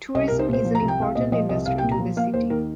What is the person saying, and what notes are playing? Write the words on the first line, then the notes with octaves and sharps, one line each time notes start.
Tourism is an important industry to the city.
C2 D#5
A#4
C2
C5
A#2
C5
F3
A#5
C2
G5
C2 F5
A#2 D#5
F3 D#5
C2 D#5
C2 F5
G5
A#2
A#5
F3
A#3 F5
D#2 C5
D#3 A#4